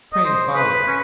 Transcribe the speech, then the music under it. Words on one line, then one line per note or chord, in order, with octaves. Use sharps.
Crane followed.
D#5
C5
B4
C#4